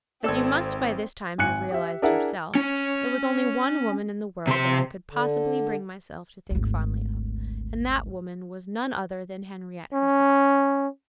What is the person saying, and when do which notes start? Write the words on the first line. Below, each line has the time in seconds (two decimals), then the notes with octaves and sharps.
As you must by this time have realized yourself, there was only one woman in the world that I could possibly bring myself to think fondly of, and that woman was none other than Henriette herself.
0.24 G#1 C4 A4 D5 E6 G#6 E7
1.38 G#1 G#5 F#6 C#7
1.71 G4 E5
2.02 D4 E4 G#4 A#4 E5 F#5
2.55 C#4
4.47 C3 C6
5.11 D3
6.50 G#1 D2
9.93 C#4